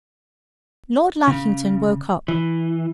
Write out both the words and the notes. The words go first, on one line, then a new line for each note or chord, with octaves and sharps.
Lord Lackington woke up.
C#3
E3